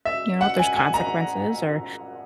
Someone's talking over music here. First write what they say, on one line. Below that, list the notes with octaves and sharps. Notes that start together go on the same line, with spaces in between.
you know, if there's consequences or
E5
F#5
G#5
G#5
A#5